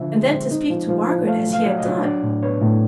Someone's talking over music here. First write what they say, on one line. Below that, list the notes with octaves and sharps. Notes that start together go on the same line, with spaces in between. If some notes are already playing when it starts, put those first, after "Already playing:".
And then to speak to Margaret as he had done!
Already playing: D3 F3 E5
G#3
C4
D#4
F3
F3
F3
A3 F5
F#3
F5
F#3 D5
D#5
F#3
D4 D5
A2
B3 C#5
A2